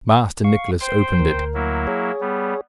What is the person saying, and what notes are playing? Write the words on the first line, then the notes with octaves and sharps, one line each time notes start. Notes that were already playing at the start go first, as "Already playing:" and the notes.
Master Nicless opened it.
F5 C#6
C5 G5 C6
D2 A#4
F#3 A#3 E4
G#4 C#5
G3 B3